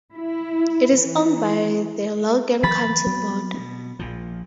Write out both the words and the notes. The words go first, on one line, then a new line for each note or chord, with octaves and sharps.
It is owned by the Logan County Board.
E4
E3
E3 F#3 B5 A6 B6
F#3 B3 C4
B2
A#1 A#2 F3